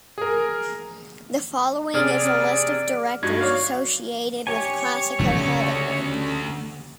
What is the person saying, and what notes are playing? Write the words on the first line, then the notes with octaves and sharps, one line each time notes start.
The following is a list of directors associated with classical Hollywood.
G#4 A#4
C3 G#4 D5 F6
G2 D#4 F#4 G#6
C#5 D5 F5
G4 C#5 G#5
D2 C#3 A3 C#4